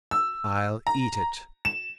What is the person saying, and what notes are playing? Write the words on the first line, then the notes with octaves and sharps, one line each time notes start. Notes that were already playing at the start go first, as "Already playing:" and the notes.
"I'll eat it."
E6
A#5
E7